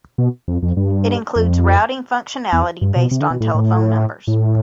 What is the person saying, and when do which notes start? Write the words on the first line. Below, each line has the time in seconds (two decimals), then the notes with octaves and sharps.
It includes routing functionality based on telephone numbers.
0.18 B2
0.48 F2
0.63 F2
0.77 G2
1.36 F2
2.53 E2
2.82 G2
2.96 B2
3.11 C3
3.21 D3
3.30 B2
3.40 A2
3.54 A2
4.27 A2